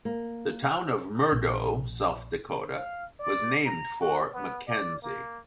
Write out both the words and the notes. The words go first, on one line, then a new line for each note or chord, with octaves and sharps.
The town of Murdo, South Dakota was named for Mackenzie.
A#3
A#1
F5
D5
A#5
F#4
B3
D5
A#3